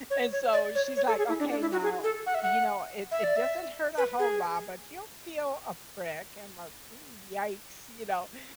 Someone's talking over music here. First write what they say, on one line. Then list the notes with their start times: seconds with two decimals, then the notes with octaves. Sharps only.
And so she's like, "Okay, now, you know, it it doesn't hurt a whole lot, but you'll feel a prick." I'm like, "Ew, yikes." You know? Eh,
0.10 C#5
0.33 C#5
0.53 D5
0.75 C#5
0.97 C#5
1.07 A4
1.18 G#4
1.29 E4
1.40 D4
1.51 D4
1.61 E4
1.72 F#4
1.83 G#4
2.04 A4
2.26 F#5
2.35 E5
2.43 F#5
3.11 E5
3.24 D5
3.36 E5
3.98 B4
4.19 G#4